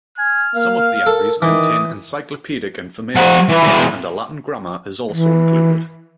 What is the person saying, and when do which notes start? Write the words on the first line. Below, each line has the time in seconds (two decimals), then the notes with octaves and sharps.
Some of the entries contain encyclopedic information, and a Latin grammar is also included.
0.18 G#5 F6
0.55 A#3 F5
1.06 A4 A#4
1.42 D#3 E3 D6 D#6
3.15 F3 F#5
3.48 E3
3.63 E3 G#3
5.11 E3